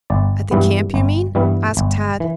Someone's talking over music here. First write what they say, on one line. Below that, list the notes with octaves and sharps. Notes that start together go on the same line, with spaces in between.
"At the camp, you mean?" asked Tad.
G1 D5
G2 E3 G3 B3
G1
G2 E3 G3 B3
G1
E3